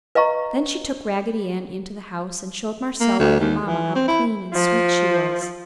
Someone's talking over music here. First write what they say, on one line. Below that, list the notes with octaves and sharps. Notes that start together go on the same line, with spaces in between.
Then she took Raggedy Ann into the house and showed Marcella and Mamma how clean and sweet she was.
B4 D#5 F5 A#5 C#6
A#3
D2
D#2
E3
C4
E4
F3